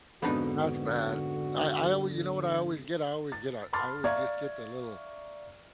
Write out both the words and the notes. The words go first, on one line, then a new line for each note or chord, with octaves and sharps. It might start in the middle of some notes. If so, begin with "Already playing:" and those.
That's bad. I I always you know what I always get? I always get a I always just get the little,
F2 G#2 B2 D3 B3 D4 D#4 F#4
A6
A5 B5 C6 D6 F6 A6
D5 E5 F5 A#5 C#6 G#6